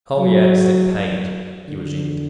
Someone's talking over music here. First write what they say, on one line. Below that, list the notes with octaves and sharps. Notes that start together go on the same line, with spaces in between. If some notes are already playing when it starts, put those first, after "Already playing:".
"Oh yes, it paid," he resumed.
F#3
D3